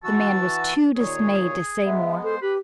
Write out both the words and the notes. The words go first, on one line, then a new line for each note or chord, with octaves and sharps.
The man was too dismayed to say more.
E3 F#4 A5 E6
D#2 A#2 G#4 C#5
G#3 B3 E5
A4 C5
G4 B4